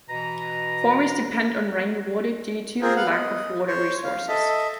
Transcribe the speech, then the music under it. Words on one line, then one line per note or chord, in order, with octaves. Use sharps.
Farmers depend on rain water due to lack of water resources.
B2 E3 B4 A#5
C4 F4 G#4 A#4 C5
B3 F5 F#5
D#5
C5 C#5
F5
A4 D#5 E5